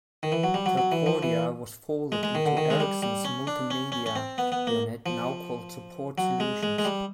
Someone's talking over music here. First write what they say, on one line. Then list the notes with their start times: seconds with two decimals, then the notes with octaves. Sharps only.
Telcordia was folded into Ericsson's multimedia unit, now called Support Solutions.
0.23 D#3
0.32 E3
0.44 F#3
0.54 G3
0.66 F#3
0.77 F#3
0.92 E3
1.06 F3
1.23 E3
2.12 G#3
2.23 G#3
2.35 D#3
2.46 D3
2.57 D#3
2.70 G#3
2.80 G3
3.02 G3
3.25 C#4
3.47 D4
3.70 C#4
3.92 C#4
4.06 C#4
4.16 C4
4.38 B3
4.52 B3
4.67 A#3
5.06 F3
6.18 F#3
6.40 G#3
6.63 G#3
6.79 G#3
6.85 G3